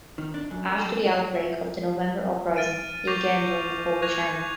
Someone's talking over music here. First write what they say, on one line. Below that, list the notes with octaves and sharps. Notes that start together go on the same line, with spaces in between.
After the outbreak of the November Uprising he again joined the Polish Army.
D#3
D4
F#2
A4
G#4
F#4
E5
F6 A6 D7 D#7
C#6 D6 G6 A#6 C7 F7
C#6 F#6 G#6 A#6 F7